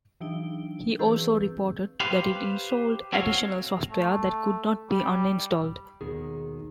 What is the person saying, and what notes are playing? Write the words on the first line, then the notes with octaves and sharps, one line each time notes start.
He also reported that it installed additional software that could not be uninstalled.
E3 F#3 D4 D#4 D7 G7
E3 C4 G#4 B4 E6 G6
G4 B4 C5 F5
C4 F#4 A4 C#5 F5
A3
G3
D#2 B2 D#3 G#4